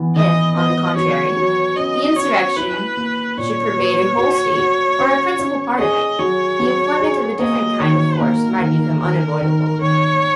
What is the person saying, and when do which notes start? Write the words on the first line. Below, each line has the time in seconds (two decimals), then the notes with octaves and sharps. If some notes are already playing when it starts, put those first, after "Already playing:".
If, on the contrary, the insurrection should pervade a whole State, or a principal part of it, the employment of a different kind of force might become unavoidable.
Already playing: E3 B3
0.16 E3 D#5
0.56 B3 D#5
0.96 F#3 C#5
1.36 F#3
1.76 C#4 D#5
2.16 C#4 C#5
2.57 E4 B4
2.97 A#3
3.37 A#2 C#5
3.78 B4
4.17 F#4
4.58 F#4
4.99 C#4
5.39 C#4
5.79 G#4 D#5
6.19 F#3 C#5
6.60 F#3
7.00 G#4
7.39 A#3 D#5
7.80 D#3 C#5
8.20 A#3 A#4
8.60 D#3
9.00 D#3 A#4
9.41 D#3
9.82 D#3 C#5